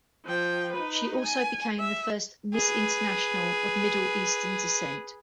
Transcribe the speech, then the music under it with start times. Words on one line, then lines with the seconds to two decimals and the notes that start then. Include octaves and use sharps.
She also became the first Miss International of Middle Eastern descent.
0.25 F3 G5
0.73 D#4 B4
1.21 G#5
1.80 E5
2.55 G#4 B4